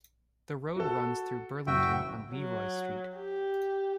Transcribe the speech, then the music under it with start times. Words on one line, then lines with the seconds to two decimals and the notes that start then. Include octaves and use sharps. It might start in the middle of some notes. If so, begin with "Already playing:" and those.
The road runs through Burlington on Leroy Street.
0.76 F#4 A4
1.67 F#1 F#4 E5 G5
2.32 F#3
3.17 G4